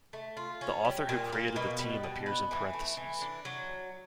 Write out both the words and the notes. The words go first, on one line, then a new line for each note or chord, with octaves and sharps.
The author who created the team appears in parentheses.
A3
F4
C#4
G3
A#2
A#3
B2
G3
B2
B3
E3
A3
E3
D4
F#3